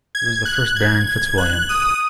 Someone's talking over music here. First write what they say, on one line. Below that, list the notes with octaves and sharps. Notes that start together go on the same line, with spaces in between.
He was the first Baron FitzWilliam.
G#6
F#6
G#6
G#6
F#6
D#6